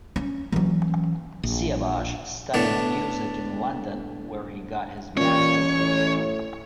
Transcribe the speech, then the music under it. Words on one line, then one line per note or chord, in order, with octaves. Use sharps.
Siavash studied music in London where he got his Master's degree.
C#4
E3 F#3 A#3 C#4
A#1
A2 D3 B3 D4
A#2 E3 C#4 C#5
A2